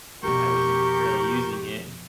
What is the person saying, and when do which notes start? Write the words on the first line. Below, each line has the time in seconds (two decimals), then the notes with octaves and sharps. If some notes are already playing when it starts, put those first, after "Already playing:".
I wasn't really using it.
0.23 F2 B2 G4 A#4 C#6 G6